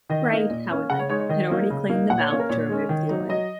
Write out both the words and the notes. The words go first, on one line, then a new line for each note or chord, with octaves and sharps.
Brade, however, had already cleaned the valve to remove the oil.
D#3 D#5
A#3 D#4
A#2
A#3 C#4
C#3 F#5
C#5
G#3 D#4 C#5
C#5
D#3 D#5
F#3 A#3 D#4
C#3
A#3 D#4
A#2 F#5
C#5
A#3 C#4 C#5
A#4
A#2 C#5
G#3 C#4
D#3
F#3 D#4
F#3 D#5